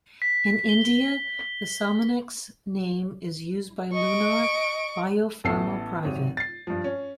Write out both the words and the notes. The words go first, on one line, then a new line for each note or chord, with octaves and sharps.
In India, the Sominex name is used by Lunar BioPharma Pvt.
B6
G7
D#5 C#6 D7
A1 A3 B3 A4 E6 C7
G#1 C3 F#3
A6 C7
G2 F3
C#4